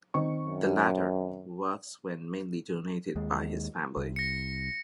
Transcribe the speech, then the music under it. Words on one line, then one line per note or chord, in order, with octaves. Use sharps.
The latter works were mainly donated by his family.
D#3 C4 C#6
F#2
D#2 G#3
C2
A#6 C#7